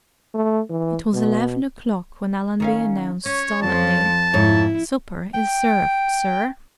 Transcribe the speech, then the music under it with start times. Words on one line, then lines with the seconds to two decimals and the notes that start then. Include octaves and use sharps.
It was eleven o'clock when Allenby announced stolidly, "Supper is served, sir!"
0.34 A3
0.70 E3
1.13 B2
2.60 D#3 C#4 F5
3.26 C#4 C#5
3.62 F2 F3 A5
4.34 F2 G#2 E4 C#5
5.34 G5